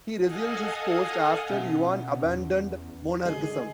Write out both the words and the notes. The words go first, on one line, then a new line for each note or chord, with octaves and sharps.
He resumed his post after Yuan abandoned monarchism.
A4 D#5 F5 F#5 G#5 D#6
B2 C#4 E5 F#5
E2
D3 G#4 D#5